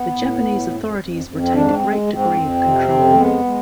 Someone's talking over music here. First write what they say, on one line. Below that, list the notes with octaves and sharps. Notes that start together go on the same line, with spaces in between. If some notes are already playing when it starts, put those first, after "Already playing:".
The Japanese authorities retained a great degree of control.
Already playing: B3
A2
A2
F2
F2
F2
C4
G#2 D4
C4
G#3
G#2
C4
F2
C3
F2
A3
G#3 B3
G#3